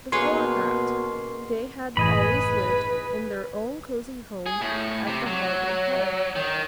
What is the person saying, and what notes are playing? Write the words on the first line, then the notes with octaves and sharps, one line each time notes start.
Before that they had always lived in their own cosy home at the Harbour Head.
B2 A#3 C#4 G#4 B4 C#5 C6
F#1 A2 E3 G#4 B4 D#5 B5
G#4
A2
C3
F#3
D#3